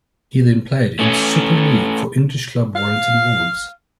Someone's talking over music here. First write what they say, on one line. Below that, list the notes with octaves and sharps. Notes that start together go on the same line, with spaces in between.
He then played in Super League for English club Warrington Wolves.
A3 C#4
F5